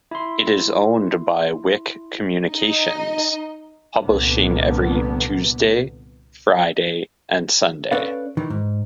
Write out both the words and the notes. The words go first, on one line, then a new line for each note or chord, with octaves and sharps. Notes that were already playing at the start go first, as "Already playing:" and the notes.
It is owned by Wick Communications, publishing every Tuesday, Friday, and Sunday.
E4 C6
D#4 D#5
C2 G2 A#2 D3 A#3 B3
C#4 A4 B4 D5 F5
D#3 E3
G#2